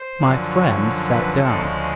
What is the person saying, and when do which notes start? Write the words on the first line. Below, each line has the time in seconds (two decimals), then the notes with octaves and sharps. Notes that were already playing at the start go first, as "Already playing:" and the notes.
My friend sat down.
Already playing: C5
0.18 F#2 D3 F3
0.48 C#5
1.09 B4
1.39 D2 C#3 F3 G#3 A4